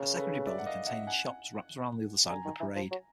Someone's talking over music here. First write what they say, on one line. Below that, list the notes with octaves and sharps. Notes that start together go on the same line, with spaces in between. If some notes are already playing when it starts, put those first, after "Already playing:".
A secondary building containing shops wraps around the other side of the parade.
Already playing: C#3 G#4 A#4
A4 B4
D5 E5
F#5
D#5 F5
E5 F#5
F#5 G#5
D3 G#5 A#5
D#3
E3
F3
F#3